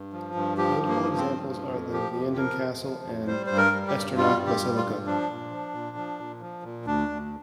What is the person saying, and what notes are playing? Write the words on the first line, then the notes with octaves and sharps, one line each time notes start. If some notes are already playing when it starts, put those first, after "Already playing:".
Notable examples are the Vianden Castle and the Echternach Basilica.
Already playing: G2
F3
G2
F3 G4
G2
A#3
F3
C4
G2
F3
F2
F3 G4
F2
G4
F3 A#4
F2
F3
F2
G3 C5
G2 C5
A#4
G3
G4
G2
G3 F4
G2
G4
G3
F4
G2
F3 D4
A#2
F3
A#2
F3
A#2
F3
A#2
D2 D4
D2